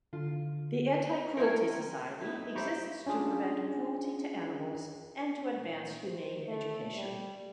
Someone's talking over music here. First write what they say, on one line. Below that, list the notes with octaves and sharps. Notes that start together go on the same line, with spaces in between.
The Anti-Cruelty Society exists to prevent cruelty to animals and to advance humane education.
D3 F4
C#4 E4 A#4 G5 C6 C#6
D#4 E4
G4 C5 E5 A#5 B5 C#6
C#4 D4 F4 G#4
A#2
C5
A3
G3